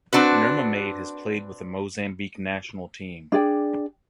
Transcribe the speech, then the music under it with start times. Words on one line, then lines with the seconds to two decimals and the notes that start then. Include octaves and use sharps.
Nurmamade has played with the Mozambique national team.
0.13 C4 D4 F#4 B4
3.32 D4 G#4 D5 G5